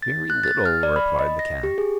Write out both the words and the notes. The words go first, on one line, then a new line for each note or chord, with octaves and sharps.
"Very little," replied the cat.
A6
F#6
A6
F6
D5
B5
D#5
A#6
G4
G#4